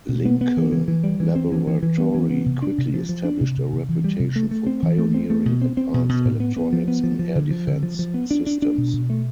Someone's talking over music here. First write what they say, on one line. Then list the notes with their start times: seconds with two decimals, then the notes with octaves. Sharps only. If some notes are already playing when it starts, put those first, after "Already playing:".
Lincoln Laboratory quickly established a reputation for pioneering advanced electronics in air defense systems.
0.09 B2
0.25 B3
0.41 B3
0.57 E3
0.72 E3
0.88 E3
1.04 G3
1.20 E3
1.36 C4
1.52 E3
1.67 E3
1.83 E3
1.98 B3
2.15 E3
2.30 B3
2.46 C3
2.62 D4
2.78 C3
2.94 F3
3.09 F3
3.24 D4
3.41 C3
3.57 C3
3.73 C3
3.89 E3
4.04 G3
4.19 C3
4.36 A3
4.51 A3
4.67 C4
4.83 E3
4.98 A3
5.14 C4
5.30 A3
5.46 B2
5.62 C4
5.77 C4
5.94 B2
6.09 B2
6.25 A2
6.40 B3
6.56 B3
6.73 F3
6.88 B3
7.04 F3
7.19 F3
7.35 D3
7.51 F3
7.67 D3
7.83 F3
7.99 F3
8.14 B3
8.31 D4
8.46 D4
8.62 D4
8.78 B2
8.93 B2
9.10 A3